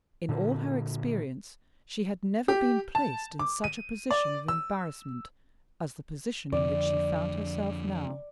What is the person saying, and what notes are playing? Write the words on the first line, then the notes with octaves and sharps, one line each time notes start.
In all her experience she had never been placed in such a position of embarrassment as the position in which she found herself now.
A#2 D3
G4
A5
D6
D#7
D5
E6
F2 D3 D5